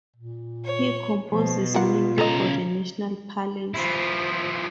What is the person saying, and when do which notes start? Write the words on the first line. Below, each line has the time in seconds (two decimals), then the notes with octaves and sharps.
He composes mainly for the National Palace.
0.16 A#2
0.64 C#5
1.30 B2 F3
1.74 G3 F4 A#4 F#5
2.18 C#3 A4 D#5 A#5
3.74 F3 E4